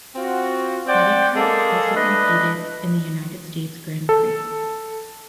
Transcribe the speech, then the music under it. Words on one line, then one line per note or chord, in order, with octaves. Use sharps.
Nethercutt also competed in the United States Grand Prix.
C4 F4 F#4
C4 C5 D5 F#5 G5
G#3 A#3 G#4 A4
A3 D4 B4 D5 D#5
A4